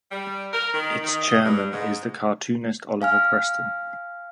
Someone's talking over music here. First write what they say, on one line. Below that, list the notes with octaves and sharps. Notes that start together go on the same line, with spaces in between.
Its chairman is the cartoonist Oliver Preston.
G3
A#4
D#3
D#3
D#5
G2
G#2
F5 G#5 F6